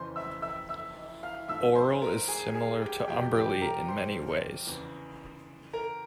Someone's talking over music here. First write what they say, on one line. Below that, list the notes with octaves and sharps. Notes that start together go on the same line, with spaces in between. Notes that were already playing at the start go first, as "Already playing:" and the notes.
Auril is similar to Umberlee in many ways.
Already playing: F2 C#3 E3 C5 C6
E5 E6
E5 E6
E5 E6
F5 F6
G#2 F3 E5 E6
C5 C6
A#4 A#5
G#4 G#5
G#4 G#5
G4 G5
F2 C3 F3 G4 G5
G4 G5
A#4 A#5
C5 C6
E2 C#3 E3
A#4 A#5